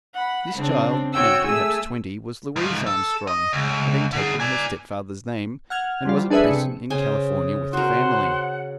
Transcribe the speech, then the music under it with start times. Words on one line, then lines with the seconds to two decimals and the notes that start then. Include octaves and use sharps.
This child, now perhaps twenty, was Louise Armstrong, having taken her stepfather's name, and was at present in California with the family.
0.15 F#5 B5
0.54 C#3 C4 D4
1.12 F#4 C#5 G5 E6
1.46 A3 G#4 G#5 E6
2.56 G#2 F3
2.86 A4
3.27 D#5
3.53 C#2
4.13 D3 G#4
4.40 D5 G#5
5.70 F#5 F6 G#6
6.05 F3 G3 F4
6.30 D4 G#4 A4 B4 E5
6.47 C3 C#7
6.90 C#3 C5 G#5
7.73 F#4 A#4 C5 F#5